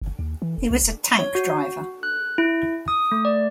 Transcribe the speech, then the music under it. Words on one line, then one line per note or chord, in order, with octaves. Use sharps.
He was a tank driver.
G1
D#2
E3
F1
C2
E1
C#5
F#4
F#6
E4
D#6
A3
D5